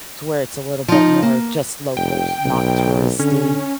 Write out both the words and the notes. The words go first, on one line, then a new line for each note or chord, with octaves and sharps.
to where it's a little bit more just locals, not touristy,
F3 D#4
A#3
F1 G5
B1
D3 C#4